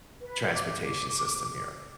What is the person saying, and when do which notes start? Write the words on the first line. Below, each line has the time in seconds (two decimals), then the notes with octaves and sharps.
transportation system here.
0.21 B4
0.53 D6